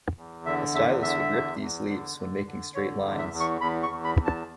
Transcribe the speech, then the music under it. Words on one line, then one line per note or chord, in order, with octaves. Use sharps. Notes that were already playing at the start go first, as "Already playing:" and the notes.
A stylus would rip these leaves when making straight lines.
E2
D3 E5
E2 E5
D3 E5
E2
E2
D3
D3
D3
D3 C#5
E2
E5
E2
C#6
E2 B5
C#6
E2
B5
E2
A5